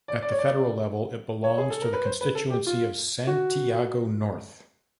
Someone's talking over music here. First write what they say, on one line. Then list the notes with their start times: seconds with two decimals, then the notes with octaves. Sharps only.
At the federal level, it belongs to the constituency of Santiago North.
0.08 D5
0.22 D5
0.31 C#5
0.39 D5
1.44 C#5
1.58 G#4
1.70 A4
1.82 A#4
1.93 B4
2.05 C5
2.21 B4
2.35 A4
2.50 G4
2.67 F4
3.27 F#4